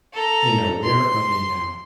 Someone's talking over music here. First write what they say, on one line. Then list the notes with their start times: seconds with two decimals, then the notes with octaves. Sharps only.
In a Where Are They Now?
0.13 A4 A#5
0.83 C6